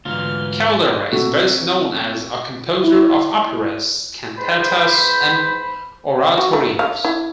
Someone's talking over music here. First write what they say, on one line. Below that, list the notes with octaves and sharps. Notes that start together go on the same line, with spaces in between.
Caldara is best known as a composer of operas, cantatas and oratorios.
D2 G#2 E3 F4 F6
C3 A3 F#4
E4
G#2 B4 C5 B5
F#4
A3
F5
E4